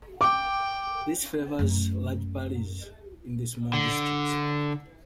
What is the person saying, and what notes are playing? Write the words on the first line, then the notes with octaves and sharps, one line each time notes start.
This favors large parties in the small districts.
G5 D6
F#2 A3
D3